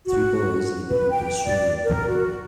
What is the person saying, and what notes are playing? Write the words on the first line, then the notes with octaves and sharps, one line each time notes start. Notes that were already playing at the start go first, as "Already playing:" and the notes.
Three boys leaping into a swimming pool.
F#4
B4
G5
D5
A#4
F#4